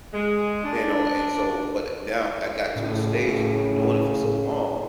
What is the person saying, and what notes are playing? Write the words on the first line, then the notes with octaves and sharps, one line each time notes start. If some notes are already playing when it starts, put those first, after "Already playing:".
You know, and so but i now, I got to the stage I've been doing it for so long,
G#3
D4
A2 C#3